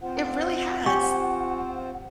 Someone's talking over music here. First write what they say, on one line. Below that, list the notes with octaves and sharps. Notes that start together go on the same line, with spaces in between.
It really has,
C4 F4 C5 F#5
G4 G#5 C#6